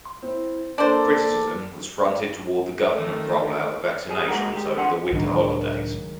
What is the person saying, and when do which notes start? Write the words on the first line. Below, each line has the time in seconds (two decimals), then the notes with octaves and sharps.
Criticism was fronted toward the government rollout of vaccinations over the winter holidays.
0.22 C4 E4
0.78 A#3 D4 A4 A#4 C5 D5
2.92 D#3 A3
4.09 G3 G#4
4.28 G#2 G#3 A#3 F#4 A#4
4.52 G#3 G4
4.76 F2 D3 F#5 C6
5.11 C#2 A2 D#3 F#3 G#3 D4